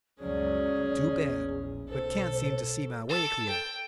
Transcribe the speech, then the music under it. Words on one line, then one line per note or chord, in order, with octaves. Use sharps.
Too bad; but can't seem to see my way clear.
C#2 F#2 F#3 C#4 G#4 D5
A#1 E2
B1 A4 C5
A4
G5